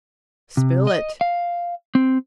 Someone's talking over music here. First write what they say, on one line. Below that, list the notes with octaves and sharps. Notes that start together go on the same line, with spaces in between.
"Spill it."
C3
D#5
F5
C4